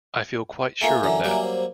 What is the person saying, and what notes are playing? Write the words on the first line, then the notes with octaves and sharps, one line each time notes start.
I feel quite sure of that.
A3 A#3 F4 E5 G#5 A#5
F#2 D3 E3
F#3 G3 A#3
C5